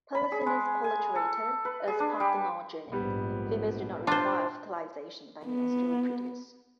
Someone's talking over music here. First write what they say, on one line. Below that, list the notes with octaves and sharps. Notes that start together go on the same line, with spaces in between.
"Pelecinus polyturator" is parthenogenic; females do not require fertilization by males to reproduce.
B5
G#4
G#3
G#5
A4
B4
G#4
D4
G3
A#1 G#2 G3 B3
D4 F4 C5
B3